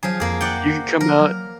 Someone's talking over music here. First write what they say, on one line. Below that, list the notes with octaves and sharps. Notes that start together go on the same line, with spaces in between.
“you can come out"
F3 F#3 G#4
F2 A#3 G#4
D5 F#5 G5
F3 A#4
F#3